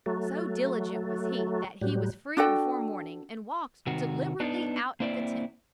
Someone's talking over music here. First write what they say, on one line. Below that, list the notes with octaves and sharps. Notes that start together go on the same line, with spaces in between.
So diligent was he that he was free before morning and walked deliberately out of the tent.
F#3 A3
A2 F#3 G3
D4 F#4 A4 G5
C3 D#3 F#4
B3 D4 D#4
A#3 C4 E4 D5